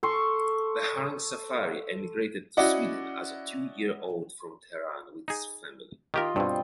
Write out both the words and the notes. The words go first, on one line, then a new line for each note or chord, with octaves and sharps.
Behrang Safari emigrated to Sweden as a two-year-old from Tehran with his family.
A4 C6 C#6
C#4 E4 F#4 D5 D#5 F#5
D#4 G#4
D#3 F4 G4 A#4 D#5
G2 B2 G3 C4